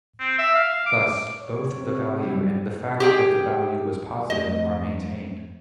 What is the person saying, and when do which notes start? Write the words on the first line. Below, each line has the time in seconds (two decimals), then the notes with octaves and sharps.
Thus, both the value and the fact that the value was positive are maintained.
0.20 C4
0.38 E5
0.55 F5
0.69 F5
0.86 D6
1.41 C#5
1.78 C3
2.21 F#3 G3 E4
3.00 G4 G#4 G5
4.30 F2 A3 D#5